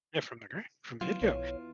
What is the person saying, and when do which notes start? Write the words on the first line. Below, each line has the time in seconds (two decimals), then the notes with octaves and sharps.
Yeah, from the gr from the get-go
1.01 E2 E3 F#3 F4
1.22 B1 C#5